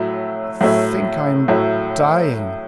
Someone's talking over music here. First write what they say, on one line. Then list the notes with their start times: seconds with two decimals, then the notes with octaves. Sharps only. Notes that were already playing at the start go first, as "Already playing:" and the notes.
"I think I'm dying."
Already playing: A2 F#3 A3 E4
0.61 A2 F#3 A3 E4
1.48 A2 F#3 A3 E4